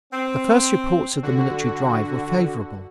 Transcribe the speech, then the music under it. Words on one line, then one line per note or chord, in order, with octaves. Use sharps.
The first reports of the military drive were favorable.
C4
D3 F#4